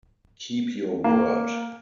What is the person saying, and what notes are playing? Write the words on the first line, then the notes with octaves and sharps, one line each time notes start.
Keep your word.
A#3